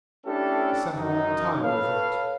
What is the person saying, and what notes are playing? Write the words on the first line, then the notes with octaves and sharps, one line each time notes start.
He sat a long time over it.
A3 C#4 D4 E4 G4 A4
F#2 D#4
A4 B4 C#5 F5